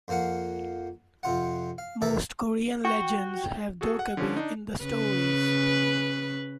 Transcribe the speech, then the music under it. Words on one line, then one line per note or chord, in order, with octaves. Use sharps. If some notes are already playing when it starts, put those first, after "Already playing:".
Most Korean legends have Dokkaebi in the stories.
F2 F3 A#3 F5 F#5
F2 C3 F4 F#5
F5
C3 E3 A4 A#4 D5 E5
F#4 G5
F#4 G#4 A4
F#5
D3 F3 C#4
D4 D#4
C#3 B4